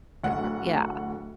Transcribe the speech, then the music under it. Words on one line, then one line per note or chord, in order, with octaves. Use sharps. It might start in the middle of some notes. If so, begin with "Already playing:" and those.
The prob yeah.
D1 D2 F#5